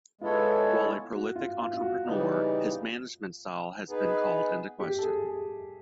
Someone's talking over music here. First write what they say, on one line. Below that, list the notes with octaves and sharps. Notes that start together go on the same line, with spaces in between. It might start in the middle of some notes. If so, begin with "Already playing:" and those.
While a prolific entrepreneur, his management style has been called into question.
G#3 B3 E4 F4 A4 C#5
F#4
F4
F4
F4
F#4
C#3 E3 G3 B3 D#4
B3 D#4 G#4 B4
G4
A4
G#4
G#4